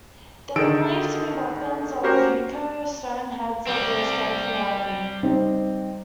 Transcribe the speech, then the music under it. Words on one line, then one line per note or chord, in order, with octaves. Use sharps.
They were believed to be weapons of Ukko, stone heads of the striking lightning.
D3 D#3 G#4 A4 E6 D7
C#4 F#4 G4 A#4 C5
G3 C4
G3 C4 D#4